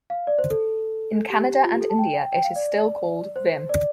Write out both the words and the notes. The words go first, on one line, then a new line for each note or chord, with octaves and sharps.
In Canada and India, it is still called Vim.
F5
D5
C5
A4
G4
F4
G4
A4
A5
G5
G5
F5
D5
C5
D5